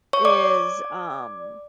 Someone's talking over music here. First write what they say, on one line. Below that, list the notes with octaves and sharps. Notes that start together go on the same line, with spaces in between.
is, um
C#5 C#6
D5 D6